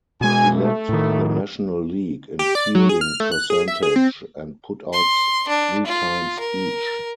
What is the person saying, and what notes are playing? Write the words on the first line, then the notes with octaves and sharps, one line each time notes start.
He led the National League in fielding percentage and putouts three times each.
B2 G#3 G#5
A3
A2 D#3
G4
D5
F#3
G#4
F6
A3
F#6
G#4
E5
G#4
C4
C6
D4
F4
A#4